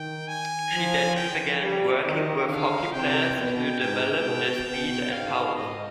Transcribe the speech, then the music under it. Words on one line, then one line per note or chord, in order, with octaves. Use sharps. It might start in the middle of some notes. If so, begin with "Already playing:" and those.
She then began working with hockey players to develop their speed and power.
Already playing: D#3 G5
G#5
F3
G5
G3
D#3 D#5
D3 F5
C3 G5
B2 G5
G#2 G5
B2
B2
G#2 F5
G#2 D#5